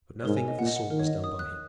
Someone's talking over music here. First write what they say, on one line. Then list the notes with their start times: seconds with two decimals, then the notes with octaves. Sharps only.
But nothing of the sort was done by him.
0.20 C#5
0.25 G#2 A#4
0.37 G#5
0.48 D#5
0.58 A#2 F#5
0.67 D#5
0.76 F#5
0.90 D#3 A#4
0.99 C#5
1.07 D#5
1.24 D#6
1.39 F#6